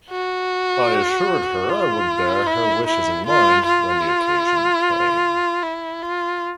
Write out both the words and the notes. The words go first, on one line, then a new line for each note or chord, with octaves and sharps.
I assured her I would bear her wishes in mind when the occasion came.
F#4
F4
E4
E4
F4
F4
E4
F4